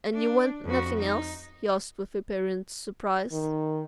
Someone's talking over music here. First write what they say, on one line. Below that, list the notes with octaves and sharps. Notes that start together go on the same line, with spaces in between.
"And you want nothing else?" he asked with apparent surprise.
D4
F2 F#4
D#4
D#3